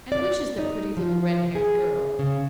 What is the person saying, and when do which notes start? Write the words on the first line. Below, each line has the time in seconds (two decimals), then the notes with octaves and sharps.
"And which is the pretty little red-haired girl?"
0.12 D5
0.58 D#4
0.97 F3
1.55 G#4
2.19 C#3